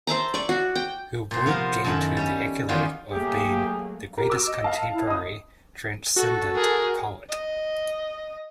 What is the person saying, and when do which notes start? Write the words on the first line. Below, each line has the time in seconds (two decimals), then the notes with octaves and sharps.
Her work gained her the accolade of being "the greatest contemporary transcendent poet".
0.07 C5 E5 A5 A#5
0.34 D5 C#6
0.49 F#4
0.75 G5
1.31 A#2 C5
1.46 C3 F3 B3 A#4 C5
1.84 F#2 D#3 E4 A4
2.17 G3 C#4
2.69 E2 D#3 E3 C#4 F4 D5
3.12 F#3 A3 A#3 G4 G#4
4.18 G4 A#4
4.30 F#4 D6 E6
4.46 D#5
4.64 F5 A5
4.93 E4
5.07 D#5 D#6
6.16 F#4 A4
6.55 G#4 A#4
7.30 D#5